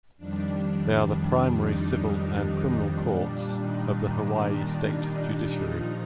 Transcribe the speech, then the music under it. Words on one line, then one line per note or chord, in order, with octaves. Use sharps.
They are the primary civil and criminal courts of the Hawaii State Judiciary.
F2 D#3 G3 D4
D#3 D#4
D#3 D#4
A#2 G3 D4
D#3 D#4
D4
D#3 D#4
A#2 D#3 F3 D#4